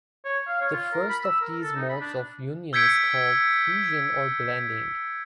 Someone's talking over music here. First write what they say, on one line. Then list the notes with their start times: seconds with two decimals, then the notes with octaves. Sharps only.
The first of these modes of union is called fusion or blending.
0.25 C#5
0.47 F5
0.61 C#5
0.73 F4
0.93 A#4
1.09 B5
1.24 E6
1.41 A#4
1.62 A4
1.76 D#4
1.89 B5
2.00 D4
2.73 E6 G6 G#6 B6 C#7 D7